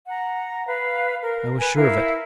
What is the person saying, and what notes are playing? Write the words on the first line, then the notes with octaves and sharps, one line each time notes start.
I was sure of it.
F#5 A#5
B4 F5
A#4
B4 G#5
E4 A#4 E5 F5